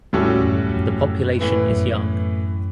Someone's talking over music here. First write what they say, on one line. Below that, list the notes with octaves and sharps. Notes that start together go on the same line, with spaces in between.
The population is young.
E2 A2 G3 C#4 F#4 A4
E2
F#2
E2
F#2
F#2
A2 E3 B3
F#2